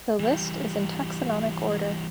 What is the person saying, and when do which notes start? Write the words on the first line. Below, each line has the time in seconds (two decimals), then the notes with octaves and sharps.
The list is in taxonomic order.
0.20 E3 G3